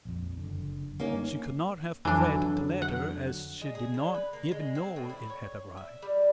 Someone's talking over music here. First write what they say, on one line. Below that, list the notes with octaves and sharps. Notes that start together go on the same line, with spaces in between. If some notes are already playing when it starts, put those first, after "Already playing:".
She could not have read the letter as she did not even know it had arrived.
A#1 F2
F#1 D3
G2 A#3 C#4 D#4
F2 D3 E3 F#3 D4
F#5
G#3
G#4
D3
B4
A#3
G#3
C4
A2
E4
C#5
E5
G3